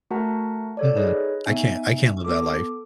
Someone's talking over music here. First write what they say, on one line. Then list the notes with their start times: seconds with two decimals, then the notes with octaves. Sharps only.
Mm-mm, I can't I can't live that life.
0.11 A3 F#4 A#4 F#5 A5 A#5
0.77 A4 C#5 D5
0.96 D#4 G#4 B4 C#5 D#5
1.46 B3 D#4 E5 G#5
2.24 B3 A4 D6